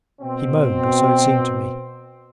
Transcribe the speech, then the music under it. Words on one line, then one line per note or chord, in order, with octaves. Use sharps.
He moaned, or so it seemed to me.
B2 C4